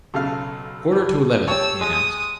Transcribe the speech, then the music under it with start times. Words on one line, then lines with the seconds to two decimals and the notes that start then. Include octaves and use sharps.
"Quarter to eleven," he announced.
0.14 B1 C#3 A4 F5
0.92 G2
1.48 G4 C#5 A5 E6
1.81 G#3 D#6